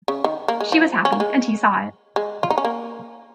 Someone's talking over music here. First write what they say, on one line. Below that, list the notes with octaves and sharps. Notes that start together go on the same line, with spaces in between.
She was happy, and he saw it.
C#3
D#3
A#3
G#3
F3
C#4
A#3
G#3
G#3
F4
D#4
C#4
A#3